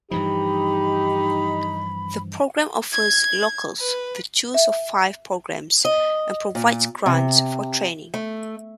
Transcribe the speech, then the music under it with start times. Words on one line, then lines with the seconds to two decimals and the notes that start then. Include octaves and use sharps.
The program offers locals the choose of five programs and provides grants for training.
0.11 G2 E3 F3 D#4 G4 B5
2.93 G#6
3.80 B4
4.54 E5
5.85 D#5
6.55 A#2
7.06 C3
8.14 A3